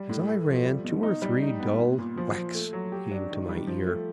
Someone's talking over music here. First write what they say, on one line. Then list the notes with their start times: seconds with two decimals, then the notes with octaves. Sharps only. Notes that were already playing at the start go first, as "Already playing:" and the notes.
As I ran, two or three dull whacks came to my ear.
Already playing: G3
0.10 A2
0.28 A3
0.48 F3
0.65 G3
0.84 B2
1.03 D#4
1.22 G3
1.42 D#4
1.60 B3
1.79 A#2
1.98 A#2
2.17 F3
2.35 F3
2.55 A3
2.73 F#3
2.92 G4
3.11 D4
3.31 D#3
3.49 G3
3.67 F3
3.86 A3